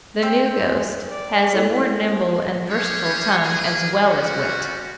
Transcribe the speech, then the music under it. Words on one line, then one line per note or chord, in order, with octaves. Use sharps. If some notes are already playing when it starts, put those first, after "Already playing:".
The new ghost has a more nimble and versatile tongue as well as wit.
C4 C5 G5
G#3
D5
A#3 E4 A4 C#5
C#4 D4 G4 G#4 C5 C#5
A#3 G#4
G3 C#4 F4 F#4